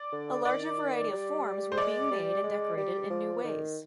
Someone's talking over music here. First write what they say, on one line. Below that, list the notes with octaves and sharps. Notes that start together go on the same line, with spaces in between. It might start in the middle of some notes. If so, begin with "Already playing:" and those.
A larger variety of forms were being made and decorated in new ways.
Already playing: D5
D3
D#3 D5
G3
C5
G#3 D5
G3
G#3
G3
F3
D#3